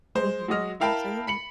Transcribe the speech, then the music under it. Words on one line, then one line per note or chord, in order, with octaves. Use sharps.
Mhm, absolutely.
G#3 C5
F#3 G#3 F#4 D#5 F6
E4 A#4 F5 G5 A5 B5
B5 C#7 F#7